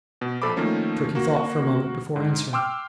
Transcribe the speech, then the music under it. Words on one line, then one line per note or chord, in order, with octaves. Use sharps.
Turkey thought for a moment before answering.
B2
A#1 A4 C5 B5 D6
D#3 F3 A3 A#3 C#4
A#3 F#4
G#2
G5 C6 D6 E6 F6